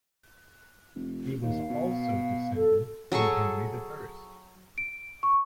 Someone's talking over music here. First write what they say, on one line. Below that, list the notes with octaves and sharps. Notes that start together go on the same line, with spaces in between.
He was also descended from Henry the First.
F1
D#2 F5
B2
A4
F#3 G#4 A4 C#6
D7
C#6